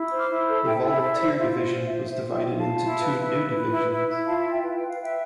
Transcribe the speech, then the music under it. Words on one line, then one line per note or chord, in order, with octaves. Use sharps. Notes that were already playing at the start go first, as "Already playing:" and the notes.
The Volunteer Division was divided into two new divisions.
Already playing: E4
C5
D6 F6
E4
A4
A4 E5 G5
E4
E5
C5
D5
C5
D5
F4 E5
C5
F4
E5
C5
C5 E5
F4
E5 G5
F4
F5 A5
F4
E4
B4
E4
B4
B4
E4
E4
E4
F4 F5 A5
F4
E5 G5
B4
G5
B4
F5
B4 E5 G5